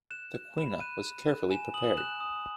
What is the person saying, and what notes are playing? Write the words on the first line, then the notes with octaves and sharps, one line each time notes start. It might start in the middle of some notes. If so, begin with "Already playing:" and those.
The Quinoa was carefully prepared.
F#6 E7
F#6
B5 E7
F#6 D#7
F#6
F#6
G#5 E7
D#6 F#7
F#6 E7
D#6